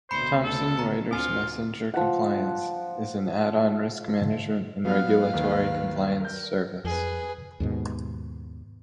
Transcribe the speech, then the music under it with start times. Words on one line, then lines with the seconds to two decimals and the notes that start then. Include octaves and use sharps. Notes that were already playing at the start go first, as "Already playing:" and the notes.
Thomson Reuters Messenger Compliance is an add-on risk management and regulatory compliance service.
0.11 D2 B2 C5 B5 C#7
0.43 A4
0.77 B3 A#5 C#7
1.11 D2 C4 F4 G#5
1.94 F3 F#5
4.85 F#3 B3 B4 F5 F6
5.34 D#2 D#3
6.20 A#4 G6
6.85 F2 G#4 B4
7.60 D#2 G#2 B2